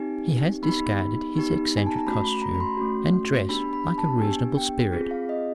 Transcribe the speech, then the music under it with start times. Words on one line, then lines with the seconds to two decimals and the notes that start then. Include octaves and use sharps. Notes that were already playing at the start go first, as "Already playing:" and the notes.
He has discarded his eccentric costume, and dresses like a reasonable spirit.
Already playing: C4 D#4 G4 G#5
0.63 B3 D#4 G4 B5
1.35 B3 D#4 G4
1.77 G#5
1.86 A5
1.96 A#5
2.07 A3 C#4 F#4 B5
2.25 B5
2.42 A#5
2.55 B5
2.60 C6
2.77 A3 C#4 F#4
3.49 B3 D4 G4 B5
3.73 B5
3.98 A5
4.21 B3 D4 G4 G#5
4.57 G5
4.92 C4 F4 G#4
5.11 F5
5.29 D#5